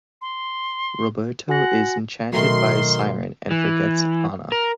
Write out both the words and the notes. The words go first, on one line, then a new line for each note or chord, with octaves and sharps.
Roberto is enchanted by a siren, and forgets Anna.
C6
F#4 F#5 G#5 A#6
B2 D#3 F#3 A3 A#4 C6
E3
A#4